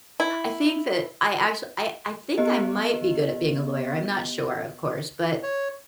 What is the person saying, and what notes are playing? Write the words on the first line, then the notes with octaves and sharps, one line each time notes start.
I think that I actua I I think I might be good at being a lawyer, I'm not sure, of course, but
E4
B3 G4 D#5
C#5